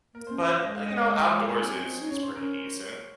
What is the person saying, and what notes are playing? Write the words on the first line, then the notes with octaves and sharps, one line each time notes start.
but, uh, you know, outdoors is is pretty decent.
A#3 A#4
C5
C#4
D#5
D#5
G#3 D#5
F5
D#5
C#5
D#5
C#5
C5
G#4
C4
C4
D#4
C#4 C#5
C5
C#4 A#4